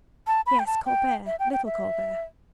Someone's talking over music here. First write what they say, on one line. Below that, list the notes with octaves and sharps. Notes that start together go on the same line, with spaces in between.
"Yes, Colbert, little Colbert."
A5
B5
G5
A5
G5
E5
G5
G5
E5